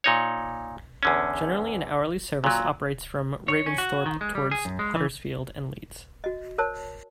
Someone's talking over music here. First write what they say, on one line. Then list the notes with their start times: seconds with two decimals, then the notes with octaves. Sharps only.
Generally an hourly service operates from Ravensthorpe towards Huddersfield and Leeds.
0.04 A#2 D#4 C#5
1.03 E2 D3 C#4
2.44 A#2 F#3
3.48 C#5
3.66 C#4
3.78 F#4
4.06 D#3
4.21 G#3
4.35 G3
4.51 G#4
4.65 F#2
4.79 G#3
4.96 E3
6.24 F#4 D#5
6.58 A#4 C5 C#5 A5